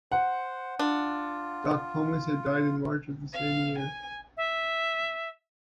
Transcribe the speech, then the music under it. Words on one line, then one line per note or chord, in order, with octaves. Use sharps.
Doc Pomus had died in March of the same year.
C5 F#5
D4 F4
F5
G#5
E5